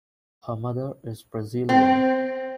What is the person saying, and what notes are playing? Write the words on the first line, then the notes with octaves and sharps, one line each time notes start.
Her mother is Brazilian.
C4